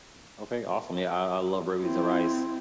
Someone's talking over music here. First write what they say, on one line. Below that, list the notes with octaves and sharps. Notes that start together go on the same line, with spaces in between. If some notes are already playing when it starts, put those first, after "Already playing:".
M okay, awesome. Yeah, I I love red beans and rice
C4 E4